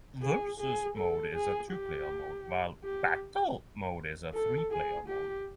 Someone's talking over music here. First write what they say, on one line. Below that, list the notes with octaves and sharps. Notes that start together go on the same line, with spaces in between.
Vs Mode is a two-player mode, while Battle Mode is a three-player mode.
G#4
G#4
A4
G#4
G4
G4
A4
G#4
G4